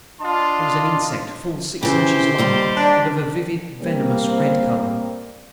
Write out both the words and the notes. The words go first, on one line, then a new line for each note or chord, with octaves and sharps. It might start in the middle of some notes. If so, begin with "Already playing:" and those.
It was an insect, full six inches long, and of a vivid, venomous, red color!
D4 F4 D#5 A5 C6
C#3 E3 G4 C5
D#2 G3 D#4
D4
G3 A#3 C4